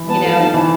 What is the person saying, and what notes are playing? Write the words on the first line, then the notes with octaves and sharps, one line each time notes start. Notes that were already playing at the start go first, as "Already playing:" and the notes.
You know.
Already playing: E3
B3 A5
A4
D#4
E3